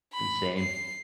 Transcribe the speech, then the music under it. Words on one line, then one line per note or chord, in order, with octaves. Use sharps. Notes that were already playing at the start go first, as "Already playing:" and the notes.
And same.
B5
C7